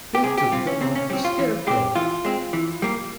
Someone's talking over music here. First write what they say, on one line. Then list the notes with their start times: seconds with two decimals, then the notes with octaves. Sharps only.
They took them off the scarecrow.
0.15 G4
0.23 C3 G#4
0.37 G4
0.52 G3 C4 F4
0.67 C#4
0.81 C3 C4
0.95 C#4
1.10 G3 C4 C#4
1.25 F4
1.39 E3
1.67 G#3 C4 G4
1.95 E3 F4
2.25 G#3 C4
2.53 E3
2.82 G3 A#3